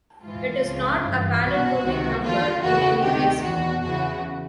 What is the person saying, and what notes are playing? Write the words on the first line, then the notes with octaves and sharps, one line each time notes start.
It is not a palindromic number in any base.
G#2 E3 F4
C#2 C#3 F3
G2 E3
C2 B2 F#4
C#2 C3 D#3
D#2 D3 F3 F4
E2 C#3 E3 F#4
D2 C3 D#3 G4
E2 B2 F#4
E2 C#3 E3 F#4